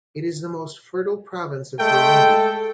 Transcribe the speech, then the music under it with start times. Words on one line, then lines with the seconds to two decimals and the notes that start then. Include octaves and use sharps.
It is the most fertile province of Burundi.
1.80 G#3 A3 A4 G5